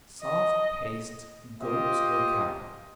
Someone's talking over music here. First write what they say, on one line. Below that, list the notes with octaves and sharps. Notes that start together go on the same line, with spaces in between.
Soft paste; goat or cow.
D#5
F4 G4 C5 D#5